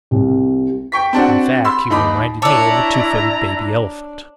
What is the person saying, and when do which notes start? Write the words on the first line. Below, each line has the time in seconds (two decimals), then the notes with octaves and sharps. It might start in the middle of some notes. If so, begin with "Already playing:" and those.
In fact, he reminded me of a two-footed baby elephant.
0.11 C2
0.92 G5 C#6 B6
1.13 C4 D4 F#4 F#5
1.64 B5 C6 E6
1.90 D#2 D#4 B5 D6
2.42 D4 E4 C#5 D5 A5 A#5 D6 E6